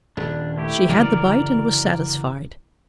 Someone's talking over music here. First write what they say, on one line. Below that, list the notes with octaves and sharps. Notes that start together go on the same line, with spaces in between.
She had the bite and was satisfied.
D#1 D4
A3 E4 G4
F#1 D3 E3 A#4 D5